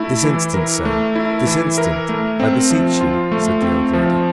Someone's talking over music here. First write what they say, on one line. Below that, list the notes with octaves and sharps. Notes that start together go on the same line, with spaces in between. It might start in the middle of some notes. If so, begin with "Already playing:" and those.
"This instant, sir--this instant, I beseech you!" said the old lady.
Already playing: A3 E4
E3
A#4
A3
E4
E3
A#4
A3
C4
F3
F4
A3
C4
F3